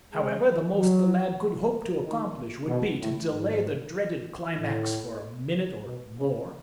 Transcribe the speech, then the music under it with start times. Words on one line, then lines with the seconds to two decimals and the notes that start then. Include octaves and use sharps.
However, the most the lad could hope to accomplish would be to delay the dreaded climax for a minute or more.
0.14 G#3
0.77 F#3
2.04 D#3
2.67 B2
3.00 A2
3.32 G#2
4.59 A2
5.86 B2
6.18 C#3